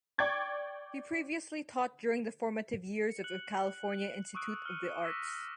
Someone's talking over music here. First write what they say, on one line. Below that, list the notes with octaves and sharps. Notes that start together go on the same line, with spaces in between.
He previously taught during the formative years of the California Institute of the Arts.
D5 G5 C#6 D6 G#6 A6
C#7
F#6 F#7
C#6 D#6 E6 F#6 D7
F6 C#7 D#7
D6 E6 A#6 B6 D#7